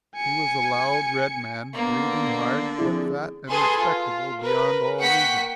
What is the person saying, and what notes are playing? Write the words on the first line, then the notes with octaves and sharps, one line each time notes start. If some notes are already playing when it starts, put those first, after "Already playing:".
He was a loud, red man, breathing hard, but fat and respectable beyond all reason.
G#5 C#7
D3 A#3 B3
F3 C4 E4 G#4
G#4 A4 B4 G#5 C6
F4
A#4 B4
A#3 F#5 G5 C#6 B6